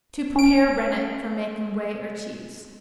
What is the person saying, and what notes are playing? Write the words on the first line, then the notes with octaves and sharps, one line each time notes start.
To Prepare Rennet for making Whey or Cheese.
C#4 D7